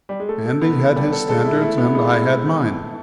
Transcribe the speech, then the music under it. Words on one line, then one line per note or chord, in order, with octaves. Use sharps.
Andy had his standards and I had mine.
G3
G#3
A3 A4
A4
B3
A4
G3 A4
A4
G#3 A4
E4
A3 E4
B3
G#3 B3